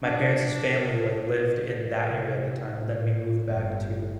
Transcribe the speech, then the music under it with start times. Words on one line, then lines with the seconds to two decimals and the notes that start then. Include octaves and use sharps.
my parents' family, like, lived in that area at the time, but then we moved back to
0.03 D4
2.05 C3
2.62 A2
3.46 G1